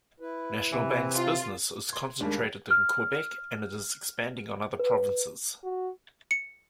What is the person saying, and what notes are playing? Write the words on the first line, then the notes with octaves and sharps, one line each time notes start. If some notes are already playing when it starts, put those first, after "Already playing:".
National Bank's business is concentrated in Quebec, and it is expanding on other provinces.
E4 B4
C3 E3
F4
C6 G#6
D#2 G3 G#3 A#3 D4
F6
B4
F#4
C#7